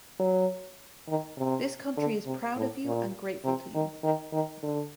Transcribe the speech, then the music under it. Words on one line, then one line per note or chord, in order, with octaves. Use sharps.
This country is proud of you, and grateful to you.
F#3
D#3
C3
D3
C3
A2
A#2
C3
D#3
D#3
D#3
D3